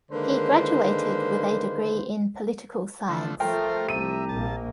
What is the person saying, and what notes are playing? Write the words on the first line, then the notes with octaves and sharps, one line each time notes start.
He graduated with a degree in political science.
D3 D#3 G#3 A#3 B4 C5
D3 F3 A3
F3 A3 F4 A#4 C5 G5
C2 G4 E5 A#5 D#7
A#1 A#3 A5